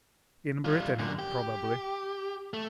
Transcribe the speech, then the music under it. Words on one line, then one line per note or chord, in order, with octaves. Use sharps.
"In Brittany, probably."
G3 F4
F#2 D3
G4
A3